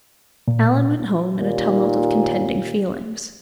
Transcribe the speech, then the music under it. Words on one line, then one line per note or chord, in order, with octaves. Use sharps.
Alan went home in a tumult of contending feelings.
A#2
D#2 A#2